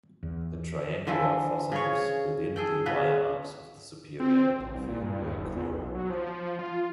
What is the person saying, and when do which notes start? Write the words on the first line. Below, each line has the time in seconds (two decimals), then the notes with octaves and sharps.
The triangular fossa dips within the Y-arms of the superior and inferior crura.
0.23 E2
1.07 D3 E3 F3 A4
1.72 C#3 G#4 C#5
2.56 G#4 A4 G5
2.86 C#3 B3 B4
4.20 C4
4.60 A1
4.74 C2
4.88 A#2
5.02 G2
5.22 D#2
5.37 F#1
5.56 E2
5.73 B1
5.95 F#3
6.10 F3
6.59 F4